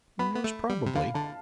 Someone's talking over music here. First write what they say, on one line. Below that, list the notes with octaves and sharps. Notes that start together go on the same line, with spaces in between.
"Most probably."
B3 B5
B3
A3
G3
C3
D3 F5
D3 A5